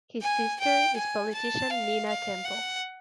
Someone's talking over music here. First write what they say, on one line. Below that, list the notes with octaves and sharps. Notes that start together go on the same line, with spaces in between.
His sister is politician Nina Temple.
G#5
G5
G#5
A5
F5
F5
F#5